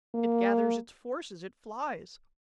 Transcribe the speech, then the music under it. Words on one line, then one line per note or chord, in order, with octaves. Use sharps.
It gathers its forces, it flies!
A#3